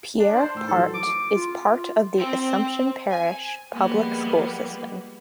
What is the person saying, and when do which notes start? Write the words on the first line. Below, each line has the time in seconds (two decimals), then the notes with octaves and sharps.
Pierre Part is part of the Assumption Parish public school system.
0.20 D4
0.36 C5
0.55 A2 E6
0.68 E3 F#3 A4
0.94 D6
1.35 F4
2.16 C4
3.10 G#5
3.73 F3 G3 G#3 A#3 B3 G4